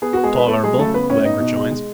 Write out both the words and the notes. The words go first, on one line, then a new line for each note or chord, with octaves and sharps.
'Tolerable,' Wegg rejoins.
B3 G#4
B3 F#4
G#3 G#4
B3 B4
A3 A4
F#3 G#3 G#4
C#3 A3 A4
B3 B4
A2 C#4 C#5
B3 D#4 D#5
B2
G#3
G#3